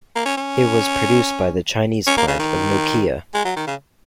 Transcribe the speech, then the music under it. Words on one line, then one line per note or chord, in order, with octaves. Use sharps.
It was produced by the Chinese plant of Nokia.
A#3
C#4
C#4
C#4
A#3
C#3
D#3
G#3
F#3
D#3
C#3